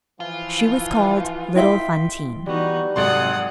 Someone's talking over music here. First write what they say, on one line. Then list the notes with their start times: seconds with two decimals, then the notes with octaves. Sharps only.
She was called little Fantine.
0.20 E3 F3 F4
1.56 E4 D#5 E5 G5 C6 B6
2.47 E3 G3 B3 D#4 F#4
2.96 G#1 C3 F#3 A4 D5 F#5 C6 D#6